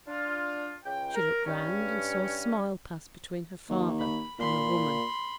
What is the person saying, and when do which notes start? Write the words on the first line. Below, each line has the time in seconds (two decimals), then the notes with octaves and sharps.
She looked round, and saw a smile pass between her father and the woman.
0.08 D4 F4
0.85 C#2 G5
1.15 A#4
1.46 G2 C#4
3.69 D#2
3.99 B5
4.39 A#2 B5 C6